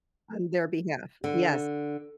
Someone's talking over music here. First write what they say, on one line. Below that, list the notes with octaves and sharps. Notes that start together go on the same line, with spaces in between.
on their behalf Yes.
D3